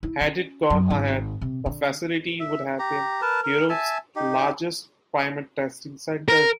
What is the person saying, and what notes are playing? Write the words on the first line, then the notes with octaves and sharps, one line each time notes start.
Had it gone ahead, the facility would have been Europe's largest primate testing centre.
E4
C#4
F#2
G#1
C3
D3
E5
G4 A#5
A#4 B4 A5
A#4
E5 G#5 A5
D#4 G4
A#4